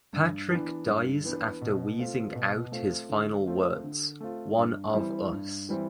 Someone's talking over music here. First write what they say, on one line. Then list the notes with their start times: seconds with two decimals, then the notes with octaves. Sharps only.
Patrick dies after wheezing out his final words "one of us".
0.13 G2
0.50 E3 B3 D4
0.88 G2
1.24 E3 B3 D4
1.61 B2
1.98 A3 C4 F4
2.35 B2
2.72 A3 C4 F4
3.09 D3
3.47 A3 C4 F4
3.84 D3
4.20 A3 C4 F4
4.57 G2
4.94 E3 G3 C4 E4
5.32 G2
5.69 E3 G3 C4 E4